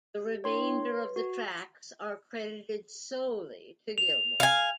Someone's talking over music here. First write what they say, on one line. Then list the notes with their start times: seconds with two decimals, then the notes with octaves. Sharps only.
The remainder of the tracks are credited solely to Gilmour.
0.20 G4
0.44 D4 E4 C#5 G5 C6
0.85 B4
1.16 F#4
3.98 F7
4.40 F5 G#5